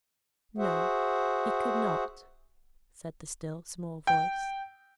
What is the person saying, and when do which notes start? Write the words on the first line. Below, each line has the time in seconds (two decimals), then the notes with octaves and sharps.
No! he could not, said the still small voice.
0.58 F#4 G#4 C5 E5 F#5
4.07 G5